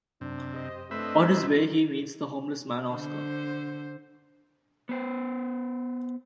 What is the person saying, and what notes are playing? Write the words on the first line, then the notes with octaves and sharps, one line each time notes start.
On his way he meets the homeless man Oscar.
F#2 C3 D4
G4 C5 D#5
A3 C4 D4 E4 B4 D#5 E5
F4
D3 C5
B3 C5